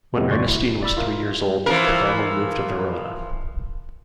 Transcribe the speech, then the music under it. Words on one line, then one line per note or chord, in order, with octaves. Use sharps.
When Ernestine was three years old, the family moved to Verona.
F2 A2 C3 G#3 B3
G#1 D2 G2 D5 C6 C#6
E4
D5 B5 E6
E4 F4 A#4
E3 F3 A#4